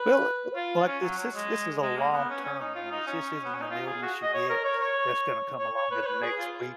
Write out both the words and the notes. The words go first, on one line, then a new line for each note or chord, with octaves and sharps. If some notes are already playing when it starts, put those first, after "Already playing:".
well, l like this is this is a long term illness. This isn't an illness you get that's gonna come along in the next week
Already playing: B4
F4
C#4
F#3
F#3
G#3
G#3
A#3
B3
C#4
C#4
D#4
F4
D#4
C#4
B3
C#4
D#4
F4
G#4
F#4
D#5
C#5
A#4
C#5
C#5
C#5
C#5
B4
C#5
B4
G#4
F4